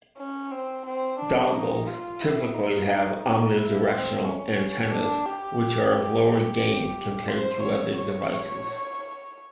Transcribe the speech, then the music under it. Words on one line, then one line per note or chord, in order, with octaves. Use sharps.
Dongles typically have omnidirectional antennas which are of lower gain compared to other devices.
C#4
C4
C4
D4
D#4
F4
E4
D#4
D#4
D#4
E4
C4
C#4
D4
G4
G4
C5
C#5
C#5